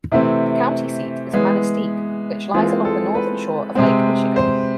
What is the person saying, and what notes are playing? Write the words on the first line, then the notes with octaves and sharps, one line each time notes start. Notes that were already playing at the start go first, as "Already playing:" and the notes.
The county seat is Manistique, which lies along the northern shore of Lake Michigan.
C3 E3 A3 C4 E4
E3 G#3 B3
E3 G#3 C4 F4
A4
B4
C3 G#3 C4
C5